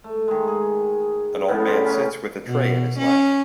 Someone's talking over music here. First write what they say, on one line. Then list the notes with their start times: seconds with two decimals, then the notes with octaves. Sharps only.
An old man sits with a tray in his lap.
0.04 A3
0.28 D#3 G#3
0.48 G#4
1.48 A2 C#3 F3 B3
1.65 D4 F4 G4
1.84 C#3 C#4 D#4
2.46 B2
2.99 C#4